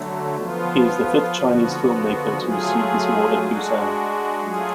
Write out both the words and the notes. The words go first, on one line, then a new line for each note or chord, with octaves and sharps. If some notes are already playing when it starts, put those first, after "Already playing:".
He is the fifth Chinese filmmaker to receive this award at Busan.
Already playing: D3 F#3 A3
F3 B3 F4
D3 F3 B3 F#4
F#3 A3 F4 G#4
G#3 D4 F#4
F#3 A3 F4 G#4